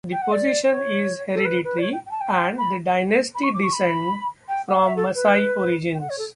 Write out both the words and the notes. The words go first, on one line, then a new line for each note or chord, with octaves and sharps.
The position is hereditary, and the dynasty descend from Maasai origins.
G5
F#5
D5
C#5
A4
B4
B4
D5
C#5
G5
G5
A5
G5
B5
B5
C#6
D6
C#6
B5
G5
F#5
F#5
E5
A4
B4
G5
F#5
C#5
A4